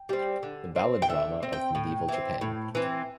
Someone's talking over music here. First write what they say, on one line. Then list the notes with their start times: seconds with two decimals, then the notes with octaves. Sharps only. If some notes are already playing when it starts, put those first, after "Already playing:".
The Ballad-Drama of Medieval Japan.
Already playing: G5
0.09 G3 C4
0.43 D3
0.76 C4
1.02 G5
1.09 D3 E5
1.43 C4
1.53 G5
1.75 A2
2.08 E3 C4
2.41 A2
2.75 E3 C4